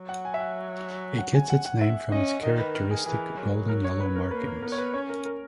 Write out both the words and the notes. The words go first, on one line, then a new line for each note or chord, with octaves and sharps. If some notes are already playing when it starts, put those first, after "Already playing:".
It gets its name from its characteristic golden yellow markings.
Already playing: F#3
F#5
G#5
E5
F#5
F#5
G#5
F#5
F#5
E5
C#4 D#5
D#3 D#5
B4
A#4
G#4
E3 G#4
F#3
A#4
C#5
B4
A#4
A#4
A#3 B4
A#4
B3 A#4
C#5
B4
C#4 C#5
A#4
A#4